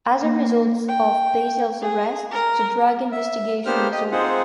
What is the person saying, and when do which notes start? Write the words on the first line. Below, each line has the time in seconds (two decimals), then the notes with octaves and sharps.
As a result of Basil's arrest, the drug investigation is over.
0.20 A#3
0.88 G5
1.82 G#4
2.31 A#4
3.12 E5
3.66 A#3 B3 D4 G4 C5 F6
3.92 G4 D#5
4.12 C4 D#4 F4 G#4 C5 F#5